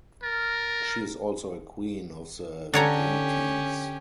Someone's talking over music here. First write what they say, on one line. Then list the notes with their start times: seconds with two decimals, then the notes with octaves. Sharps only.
She is also a Queen of the deities.
0.23 A#4 A6
2.74 D3 C#4 G4 C#5 A#5